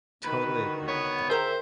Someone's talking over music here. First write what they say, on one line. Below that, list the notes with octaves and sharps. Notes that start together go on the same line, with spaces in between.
Totally agree with that.
D3 D#3 F#4 B4
B3 C#5
G#4 A#4 C5 E5 G5